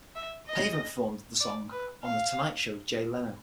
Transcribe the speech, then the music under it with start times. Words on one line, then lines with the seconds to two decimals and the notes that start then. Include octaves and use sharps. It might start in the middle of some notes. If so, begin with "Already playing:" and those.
Pavement performed the song on "The Tonight Show with Jay Leno".
0.15 E5
0.47 D#5
1.40 D5
1.72 B4
2.03 F5